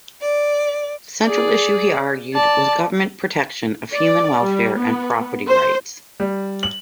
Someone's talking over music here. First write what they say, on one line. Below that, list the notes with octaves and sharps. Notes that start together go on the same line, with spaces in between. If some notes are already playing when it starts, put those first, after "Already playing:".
The central issue he argued was government protection of human welfare and property rights.
D5
G#4 D5
D5 A5
D5
G3
B3
C5
G3
F#7